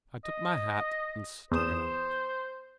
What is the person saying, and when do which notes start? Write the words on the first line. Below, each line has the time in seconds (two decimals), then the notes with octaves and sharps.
I took my hat and staggered out.
0.25 D#5
1.52 E2 C5 D#6 E7